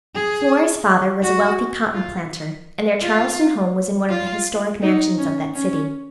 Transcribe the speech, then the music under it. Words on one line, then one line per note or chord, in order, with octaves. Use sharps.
Flora's father was a wealthy cotton planter, and their Charleston home was in one of the historic mansions of that city.
G#4
F#4
F4
F4
F4
D#4
C#4
C#4